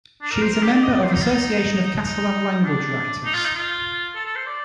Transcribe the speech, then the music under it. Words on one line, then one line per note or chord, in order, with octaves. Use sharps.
She is a member of Association of Catalan-Language Writers.
D4
A#4
C5
A#4
G4
D5
D#5
D5
C5
D#4
F4
D#4
D#4
D#4
D#4
D4
D#4
F4
D#4
F4
A4
A4
C5
D5